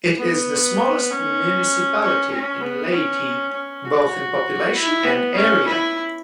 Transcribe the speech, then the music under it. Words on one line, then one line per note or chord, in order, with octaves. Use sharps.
It is the smallest municipality in Leyte, both in population and area.
B3
C#4
C#4
C#4
B3
C#4
C#4
F#4
E4
B3
C#4
E4